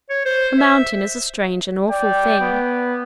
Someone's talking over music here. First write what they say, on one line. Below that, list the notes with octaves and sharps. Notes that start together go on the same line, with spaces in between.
A mountain is a strange and awful thing.
C#5
C5
E5
D5 G5
B3